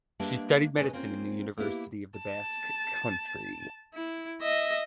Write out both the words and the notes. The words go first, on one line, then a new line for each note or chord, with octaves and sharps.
She studied Medicine in the University of the Basque Country.
G3 G#3 A#3 D4 B4 E5
C#3 C#4 F4 B4 D#5 G#5
A#3 C4 C#4 F4 C5
A#3 B3 E4 G4
A5
E4
D#5 E5